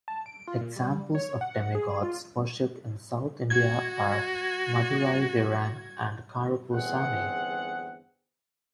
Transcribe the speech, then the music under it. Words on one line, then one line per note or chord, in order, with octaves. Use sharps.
Examples of demigods worshiped in South India are Madurai Veeran and Karuppu Sami.
A5
D7
F4
A#2
G3
C#5
F#5
G#4
F4
F#4 G#6
G1 E2 C4 G#4 F#5